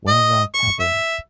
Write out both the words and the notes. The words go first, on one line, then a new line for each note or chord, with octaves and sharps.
Where’s our cabin?
D#5
C#6
E5